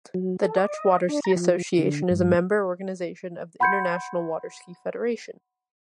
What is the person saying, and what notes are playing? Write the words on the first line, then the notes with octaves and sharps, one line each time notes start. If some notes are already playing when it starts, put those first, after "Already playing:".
The Dutch Waterski Association is a member organization of the International Water Ski Federation.
F#3
A4
D5
D#5
D4
A#5
F3
D3
G2
F#5 B5 C6 G6 G#6 C#7